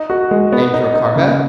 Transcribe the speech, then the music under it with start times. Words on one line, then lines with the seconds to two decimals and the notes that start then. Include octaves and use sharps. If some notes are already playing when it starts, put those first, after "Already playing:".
"And your cargo?"
Already playing: D#4
0.10 F#4
0.31 G#3
0.52 B3
0.73 D#4
0.94 D#4
1.16 C#3